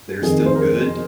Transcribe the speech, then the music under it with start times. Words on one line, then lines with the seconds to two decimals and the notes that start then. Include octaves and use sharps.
they're still good
0.22 F2 D#3 G#4
0.46 C5
0.56 A#4